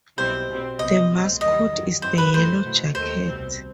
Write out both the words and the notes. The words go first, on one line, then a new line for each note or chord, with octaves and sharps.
The mascot is the yellow jacket.
B1 B2 G3 C4 E4 C5
B2 G3 C4
C2 C3 F#3 B3 D#5
B1 A2 F#3 C4
D#2 D#3 G3 D#5
F#2 D#3 F#3
F#2 F#3 C4 E4 C5
B4
F#2 D#3 A3 D#4 C5
B2 A3 E4
D#2 D#3 A3 C5
C2 B2 G3 C4